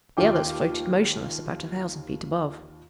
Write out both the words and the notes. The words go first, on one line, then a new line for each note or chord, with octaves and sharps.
The others floated motionless about a thousand feet above.
D#2 F4 G5 D6